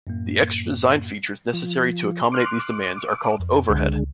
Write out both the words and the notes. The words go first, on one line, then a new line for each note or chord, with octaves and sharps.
The extra design features necessary to accommodate these demands are called overhead.
F#2 A2 A#3
F3
C6 D6 F6 F#6
F2
C#2 D3 G#3